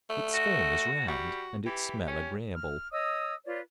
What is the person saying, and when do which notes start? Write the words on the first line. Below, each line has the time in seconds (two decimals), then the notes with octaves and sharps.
Its form is round, and its smell agreeable.
0.10 A3
0.34 F#4
1.08 G3 F#4
1.66 E3 G4
2.08 C#4
2.55 F6
2.92 C#5 D#5 D#6 E6
3.45 F4 B4 C#5 D5